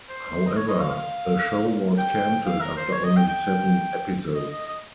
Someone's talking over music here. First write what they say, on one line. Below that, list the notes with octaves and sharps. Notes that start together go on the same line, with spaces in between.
However, the show was canceled after only seven episodes.
C5
D#5
C#5
D#5
F5
F5
G5
F5
A#4
C5
C#5
D#5
G5
G5
D#5
D#5
D#5